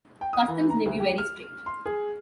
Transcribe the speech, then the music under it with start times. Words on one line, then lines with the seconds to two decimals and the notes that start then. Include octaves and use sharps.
Customs may be very strict.
0.21 G5
0.33 D#6
0.48 E3
0.70 A#5
0.86 D2
1.00 G4
1.18 F6
1.66 C6
1.86 G#4